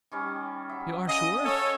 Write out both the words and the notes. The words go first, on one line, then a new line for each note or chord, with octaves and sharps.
"You are sure?"
D#3 G3 C#4
F#3 E5
C#3 D#5 D#6
C#4 A4 C#5